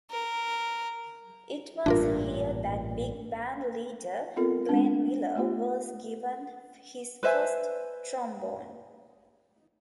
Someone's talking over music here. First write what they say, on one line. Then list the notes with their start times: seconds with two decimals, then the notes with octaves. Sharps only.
It was here that big band leader Glenn Miller was given his first trombone.
0.10 A#4
1.86 A1 G2 A#2 D4 F4 A#4
4.36 B3 C4 F4 A4 A#4
4.69 G#3 B3 C4 D4
5.35 A3 B3 F4 G4
7.23 B4 C5 E5 G#5